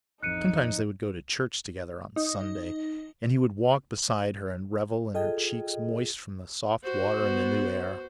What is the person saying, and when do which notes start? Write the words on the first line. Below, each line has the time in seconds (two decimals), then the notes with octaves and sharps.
Sometimes they would go to church together on Sunday and he would walk beside her and revel in her cheeks moist from the soft water in the new air.
0.23 A1 F2 D#4 F#6 C#7 D#7
2.16 D#4
5.15 F4 G#4 A4 D#5 G5
6.84 F#4 C5
7.19 B3